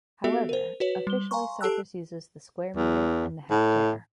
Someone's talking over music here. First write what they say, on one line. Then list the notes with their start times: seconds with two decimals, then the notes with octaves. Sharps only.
However, officially Cyprus uses the square metre and the hectare.
0.24 B3 F#4 G4 A4 E5
0.49 A#4 C5
0.80 F#4 B4 C#5
1.07 G3 G7
1.31 F5 G#5 A#5 C6 C#6
1.61 G4 A4 A5 E6 F#6
2.76 E2
3.51 A2